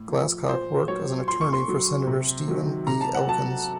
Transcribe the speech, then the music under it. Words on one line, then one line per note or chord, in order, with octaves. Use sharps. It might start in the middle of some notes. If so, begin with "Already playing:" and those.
Glasscock worked as an attorney for Senator Stephen B. Elkins.
Already playing: A2
F3
A#2 C5
F#3 C#5
A#2 C6
C#6
C6
F#3
C3
D#3 F#3
C3 A#5
A5
F#5
F#3 A5